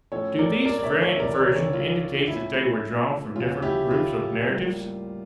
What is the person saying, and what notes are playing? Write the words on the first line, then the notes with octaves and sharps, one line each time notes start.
Do these variant versions indicate that they were drawn from different groups of narratives?
A2 F3 C#4 A4 C#5
A#4 D5
A#4 D5
D5
C#5 E5
C#5 E5
C#2 C#3 E3 A#4 D5
C#5
A#4 D5
A4 C#5
F4
A2 F3 C#4 E4
D2 C#3 F3 C#4 F4
E4 G4
F4
A2 G3 A#3